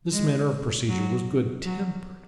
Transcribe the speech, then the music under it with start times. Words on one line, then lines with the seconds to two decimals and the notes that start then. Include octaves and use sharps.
This manner of procedure was good-tempered.
0.12 G#3
0.88 F#3
1.65 F#3